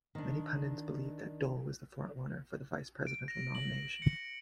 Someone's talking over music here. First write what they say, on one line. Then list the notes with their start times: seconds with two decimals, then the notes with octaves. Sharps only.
Many pundits believed that Dole was the frontrunner for the Vice Presidential nomination.
0.15 D#3 D4
3.07 D7
3.28 A#6
3.55 F#7
4.02 C#7